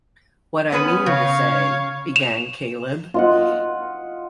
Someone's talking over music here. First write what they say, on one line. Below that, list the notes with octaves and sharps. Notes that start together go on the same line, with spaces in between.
"What I mean to say..." began Caleb.
B3 C#4 B4
C#3 C#5 F5
E7 F7
F4 D#5 F#5